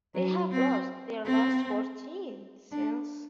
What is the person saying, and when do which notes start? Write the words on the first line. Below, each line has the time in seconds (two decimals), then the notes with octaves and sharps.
They have lost their last fourteen since.
0.14 F#3
0.52 C4
1.25 C4
2.72 D4